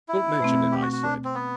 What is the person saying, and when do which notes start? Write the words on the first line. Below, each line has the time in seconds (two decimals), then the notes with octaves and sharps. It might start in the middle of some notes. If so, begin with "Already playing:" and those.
"Don't mention it," I said.
0.08 E4
0.40 B2 A3 C4
0.72 G4
0.82 F#4
0.93 F#4
1.03 D4
1.24 C4
1.35 B3